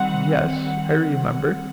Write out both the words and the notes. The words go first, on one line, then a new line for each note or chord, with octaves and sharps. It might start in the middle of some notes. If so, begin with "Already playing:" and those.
"Yes, I remember."
Already playing: D#3 G3 C4 F#5